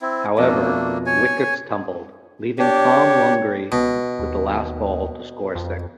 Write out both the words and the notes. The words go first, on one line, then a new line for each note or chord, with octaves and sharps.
However, wickets tumbled, leaving Tom Lungley with the last ball to score six.
C4 E4
F2 B2 A3 A#3 D4
C#5 G#5
D4 G4 C#5
C#2 B2
D#2
F2